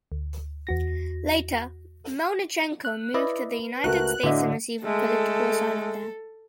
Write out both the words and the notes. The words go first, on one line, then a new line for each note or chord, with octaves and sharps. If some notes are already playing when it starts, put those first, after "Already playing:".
Later, Melnychenko moved to the United States and received political asylum there.
D2
E2 F#4 A#6
F#6
E4 B4 D5 D#5
C#2 A3 F#4 A#4 F#6
A2 D3 F#4 D#5 E5
G#3 A3 A4